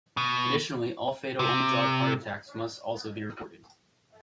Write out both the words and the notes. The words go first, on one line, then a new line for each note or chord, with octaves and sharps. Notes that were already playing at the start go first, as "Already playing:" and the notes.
Additionally, all fatal on-the-job heart attacks must also be reported.
B2
C3